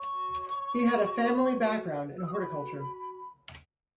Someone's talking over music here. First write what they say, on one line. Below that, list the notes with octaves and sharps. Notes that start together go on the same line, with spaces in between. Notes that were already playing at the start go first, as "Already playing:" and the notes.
He had a family background in horticulture.
Already playing: C#5 C#6
F#4
C#5
C#5
C#5
F#4
C#5
C#5
F#4
B4
B4
F#4 E6
D#6
C#6
B4 B5
F#4
F#4